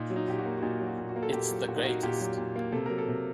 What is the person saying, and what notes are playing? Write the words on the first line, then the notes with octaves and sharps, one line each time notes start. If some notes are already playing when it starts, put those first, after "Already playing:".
It's the greatest.
Already playing: A#2 D#4
F#3
D#4
A#2 G4
F#4
A#3
F#4
A#2 D#4
F#3
F#4
A#2
F#4
A#3
A4
A#2 G4
F#3
A#2 F#4
D#4
A#3 F#4
A#2 G4
F#3
A#2
A#3
C3 A4
F#3 A#4
A4
C3